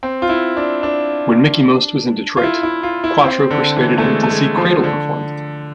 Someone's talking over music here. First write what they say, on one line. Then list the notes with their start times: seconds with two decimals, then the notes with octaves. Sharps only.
When Mickie Most was in Detroit, Quatro persuaded him to see Cradle perform.
0.03 C4
0.22 F4
0.29 E4
0.57 D4
0.83 D4
2.37 F4
2.43 E4
2.63 E4
2.83 F4
3.04 E4
3.24 C4
3.51 D3
3.76 E3
3.98 A3
4.04 G#3
4.23 A3
4.30 G#3
4.57 F3
4.83 D3